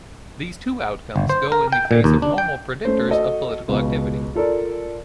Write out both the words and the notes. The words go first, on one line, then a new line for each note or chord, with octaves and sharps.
These two outcomes go in the face of normal predictors of political activity.
G1
C5
A#4
G5
A#2
D#2
D4
G5
A3 C#4 C5
F#4 A4 D#5
C#2 B2
F4 A4 A#4 D5